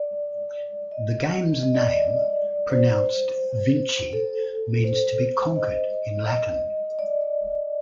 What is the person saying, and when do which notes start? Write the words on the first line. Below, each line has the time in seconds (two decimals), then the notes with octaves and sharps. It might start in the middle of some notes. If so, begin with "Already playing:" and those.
The game's name, pronounced "Vinchi", means "to be conquered" in Latin.
Already playing: D5
0.91 D#5
1.63 D#5
1.75 D5
1.87 D5
2.70 C5
4.13 A4
4.84 C5
5.56 D#5
6.27 D#5
6.99 D5